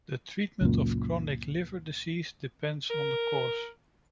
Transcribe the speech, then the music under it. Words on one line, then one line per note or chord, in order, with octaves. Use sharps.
The treatment of chronic liver disease depends on the cause.
C#2 F#2 A#2
A#4